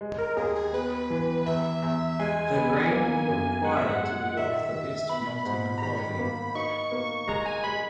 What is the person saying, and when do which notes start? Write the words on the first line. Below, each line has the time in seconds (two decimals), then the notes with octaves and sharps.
The grain will require to be of the best Malting Quality.
0.01 G#3
0.18 A#4
0.37 D#2 G#4
0.55 G#4
0.73 B3 B4
1.10 E3
1.46 E2 E5
1.82 E2
2.19 G#3 G#5
2.56 B3
2.91 A#3
3.28 F#2
3.64 G#3 F#5
3.77 E5
3.89 F#5
4.01 G#3
4.37 D#3 E5
4.73 D#3
5.09 B3 B5
5.46 G#2
5.78 A#5
5.82 D#3 B5
6.19 A#3
6.55 D#4 C#6
6.92 A#3
7.27 G#3 A#5
7.46 G#5
7.64 G#3 B5